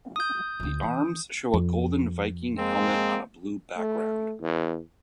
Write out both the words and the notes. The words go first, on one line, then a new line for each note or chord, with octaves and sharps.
The arms show a golden Viking helmet on a blue background.
D#6 G6
D2 F4
E3
F2
G#3 A#3 C4
A3
E2